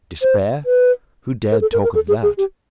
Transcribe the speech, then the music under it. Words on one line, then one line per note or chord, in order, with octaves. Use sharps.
Despair! Who dared talk of that?
C5
B4
A#4
A4
A#4
A#4
A4
G#4
G#4
G4